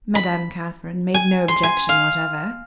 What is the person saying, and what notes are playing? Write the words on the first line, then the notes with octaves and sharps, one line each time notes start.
Madame Catherine--made no objection whatever.
B5
G#5
C6
G#5
F5